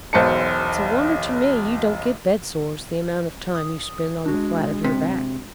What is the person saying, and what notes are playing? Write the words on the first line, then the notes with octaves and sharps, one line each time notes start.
"It's a wonder to me you don't get bed sores--the amount of time you spend on the flat of your back."
E1 B1 C5 A5 C#7
D#6
G#3 D4 F#4
C3